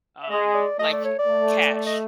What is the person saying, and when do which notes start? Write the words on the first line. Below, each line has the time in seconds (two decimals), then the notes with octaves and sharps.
Um, like, cash,
0.23 E5
0.30 G#3 D#5
0.54 D5
0.79 A3 D#5
0.93 D5
1.05 C#5
1.19 D5
1.27 A3
1.75 D5
1.87 D#5